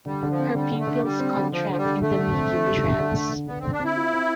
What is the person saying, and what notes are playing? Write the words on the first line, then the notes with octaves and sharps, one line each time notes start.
Her pupils contract in the medium-trance.
D3 G3
D3
F3
C4
D3 G3
D3
A3
D3
D3 G3
C4
D3
D3 F3
D3 F3
G3
D3
D3 A3
D3
C4
D3
G3
D3
D3
D3
D3
D3 B3
D3 C4
D4
C4 E4
F4
C4